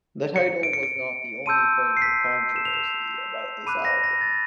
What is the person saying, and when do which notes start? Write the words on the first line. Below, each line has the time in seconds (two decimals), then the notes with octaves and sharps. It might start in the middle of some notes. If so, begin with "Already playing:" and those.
The title was not the only point of controversy about this album.
0.36 C#7
0.63 D7
0.73 C#7
0.83 D7
1.46 A5 C6 E6 G6 D#7
1.97 C7
2.02 B6
2.56 E7
2.65 F7
2.73 E7
3.67 B5 D6 F#6 D#7
3.85 A#6
4.04 A#6
4.21 A6